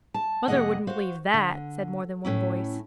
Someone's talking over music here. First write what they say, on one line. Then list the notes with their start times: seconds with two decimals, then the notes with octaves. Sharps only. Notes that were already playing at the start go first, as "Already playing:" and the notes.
'Mother wouldn't believe THAT,' said more than one voice.
0.14 A5
0.48 F2 C3 A#3 G#4 D#5 F#5
0.87 F#4 C5 F5
1.34 D3
2.25 A2 C#4 E4